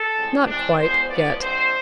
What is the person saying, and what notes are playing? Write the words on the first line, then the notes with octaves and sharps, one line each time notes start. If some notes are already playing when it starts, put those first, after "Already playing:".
'Not quite, yet.
Already playing: A4
A2 G#3 C4
A2 E3 G#3 C4 D4
E2 B2 G#3 B3 C5
A2 F3 G#3 B3 D5
F2 D3 G#3 C4 C5